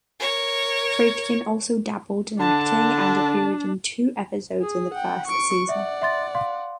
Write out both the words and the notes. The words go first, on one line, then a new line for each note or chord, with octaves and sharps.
Friedkin also dabbled in acting and appeared in two episodes in the first season.
A#4 C#5
D3 D4 A5
G#4
F#5 G5
C#6 D7
D5 E5 F#5
E5 C6 A6
F5 C6